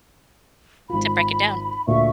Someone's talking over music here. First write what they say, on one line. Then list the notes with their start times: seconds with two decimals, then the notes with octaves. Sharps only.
To break it down.
0.90 G#1 F4 B5
1.87 D2 A#2 E5 C#6